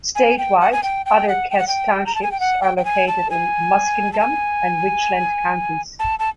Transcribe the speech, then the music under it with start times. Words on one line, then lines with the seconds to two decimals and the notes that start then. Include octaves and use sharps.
Statewide, other Cass Townships are located in Muskingum and Richland counties.
0.15 G#5
0.38 G5
0.60 F#5
0.72 G#5
0.83 G5
1.06 G5
1.29 F#5
1.51 G5
1.59 F#5
1.68 G5
2.06 A#5
2.15 A5
2.23 G#5
2.32 G5
2.40 F#5
2.62 G5
2.77 G5
2.85 G#5
3.08 A5
3.30 G#5
4.13 A5
4.19 G#5
5.99 A5
6.19 A5